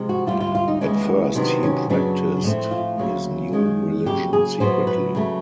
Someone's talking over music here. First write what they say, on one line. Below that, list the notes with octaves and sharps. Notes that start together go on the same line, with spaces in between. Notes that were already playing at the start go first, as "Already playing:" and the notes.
At first he practised his new religion secretly.
Already playing: C3 F3 G#3
F#4
D2 D3 G3 F4
F4
F4
D#4
D#2 C#3 E3 G#3 B3 C#4
C3 D#3 F#3 B3 D4
C#4
F#2 C#3 F#3 B3 D4
D4
A2 F3 A3 C4 D#4
F4
D2 C#3 F#3 A#3 C#4
F#2 D#3 G#3 C#4
C#3 F#3 A#3 G4
G#4
A2 F#3 B3 C5
B4
C#3 F#3 A3